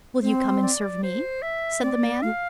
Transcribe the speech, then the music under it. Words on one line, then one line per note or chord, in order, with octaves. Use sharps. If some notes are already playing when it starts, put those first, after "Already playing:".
"Will you come and serve me?" said the man.
C4 C5
D5
C5
E5
C4 D5
A#3
A3 F5